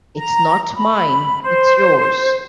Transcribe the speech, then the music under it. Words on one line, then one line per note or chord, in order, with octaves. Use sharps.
It's not mine; it's yours.
A#5
B5
C5